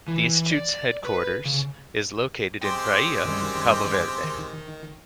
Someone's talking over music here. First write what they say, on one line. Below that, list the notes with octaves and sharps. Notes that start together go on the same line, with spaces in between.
The Institute's headquarters is located in Praia, Cabo Verde.
E3
D5
B4
C#3
G#3 C4 G4 G5 C6
F#2 D#3 G3
D#3